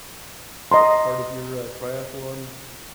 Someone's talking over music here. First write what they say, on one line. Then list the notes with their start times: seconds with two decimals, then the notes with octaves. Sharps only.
what, part of your, uh, triathlon,
0.72 D#5 A#5 C6